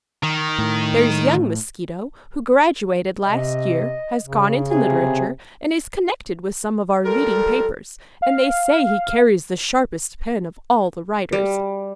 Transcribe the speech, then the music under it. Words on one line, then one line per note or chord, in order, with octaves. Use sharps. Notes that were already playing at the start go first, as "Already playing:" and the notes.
There's young Mosquito, who graduated last year, has gone into literature, and is connected with some of our leading papers, and they say he carries the sharpest pen of all the writers.
D#3
A2
C3 D#5
C#3
C3 G#4
F3 G3 A4 A#4
F5
G3